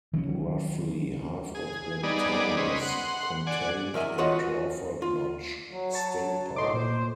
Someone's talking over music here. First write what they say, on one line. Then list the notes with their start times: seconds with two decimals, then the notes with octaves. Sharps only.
Roughly half of that town is contained in Crawford Notch State Park.
0.14 D#3 F#3 C4 C#4
1.55 G#4
2.03 G3 B3 D#4 G#4 D5
2.57 C#4 B4 C5 D#5
2.81 F#5 C6
3.47 D5 F#5 G#5
3.94 E2 A#4 E5 G#5
4.18 F4 F#4 B4 C#5 D#5 F#5
5.02 F4
5.71 F#3
5.93 C#5 A5
6.56 A2 A3 D#4 C6 D6
6.74 A#2 C5